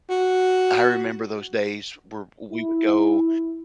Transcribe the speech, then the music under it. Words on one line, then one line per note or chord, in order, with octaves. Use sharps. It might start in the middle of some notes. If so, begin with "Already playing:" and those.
I remember those days where w we would go
F#4
E4